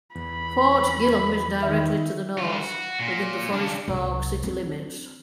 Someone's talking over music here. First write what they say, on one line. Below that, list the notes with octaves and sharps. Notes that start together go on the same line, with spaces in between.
Fort Gillem is directly to the north, within the Forest Park city limits.
E2 B5
D#3 E5
D3 F4
F#4
A#2
C#3 D4
C2
C4 D4